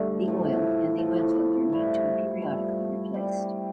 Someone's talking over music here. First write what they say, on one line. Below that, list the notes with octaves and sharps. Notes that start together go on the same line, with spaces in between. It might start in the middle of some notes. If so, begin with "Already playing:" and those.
The oil and the oil filter need to be periodically replaced.
Already playing: G2 D3 A3
A2 F3 A3
A2 F3 A3
G2 F3 A3 E4
G2 F3 A3 E4
G3 C4 G4 C5